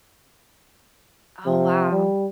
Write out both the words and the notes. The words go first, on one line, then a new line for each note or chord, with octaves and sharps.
Oh, wow.
C3 F3
G3